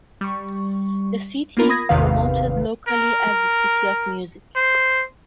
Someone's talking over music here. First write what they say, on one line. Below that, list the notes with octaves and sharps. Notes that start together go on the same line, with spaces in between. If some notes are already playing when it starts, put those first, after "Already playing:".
The city is promoted locally as the "City of Music".
G3 C#6
A#3 B3 F4 A#4 B5
B5 D#6 G#6 A#6
G#1 E2 C3 D#3 B4 F5
A#4
C5